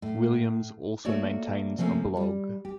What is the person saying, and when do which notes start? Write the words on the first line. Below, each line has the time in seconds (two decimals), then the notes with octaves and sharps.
Williams also maintains a blog.
0.02 A2
1.05 A3 A#3 F#4 A4 C#5 D5
1.78 C3 F3 A3 A#3 C4 C#4
2.17 G3
2.65 G4